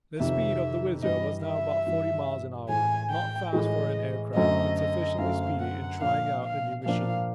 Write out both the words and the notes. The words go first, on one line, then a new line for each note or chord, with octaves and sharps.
The speed of the WHIZZER was now about forty miles an hour, not fast for an air craft, but sufficiently speedy in trying out a new machine.
F2 C3 D#3 E5
G2 E3 G3 D#5
E5
G2 E3 G3
A2 E3 G#3 G#5
G5
A2 E3 G#3 D#5
F#2 D3 F#3 A3 C4 D#5
D#5
F#2 D3 F#3 A3 C4 F5
F#5
A#2 F3 A#3 D4 F5
F5
A#2 F3 A#3 D4 F5